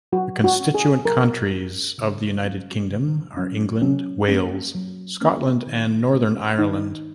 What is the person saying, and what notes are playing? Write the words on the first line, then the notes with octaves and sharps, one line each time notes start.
The constituent countries of the United Kingdom are England, Wales, Scotland and Northern Ireland.
F#3 F#4
F#4
C#4
G#4
F#3 A#4
C#4
C#3
F#3 C#4
C#3
F#3 C#4
F#3 C#4
A#3 C#4
F#3
A#3 C#4
D#3
G#3 C#4
D#3 D#4